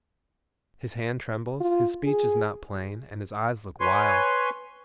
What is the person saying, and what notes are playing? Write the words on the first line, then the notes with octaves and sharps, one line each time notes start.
'His hand trembles, his speech is not plain, and his eyes look wild.
F4
G#4
B4 C#5 G#5 C6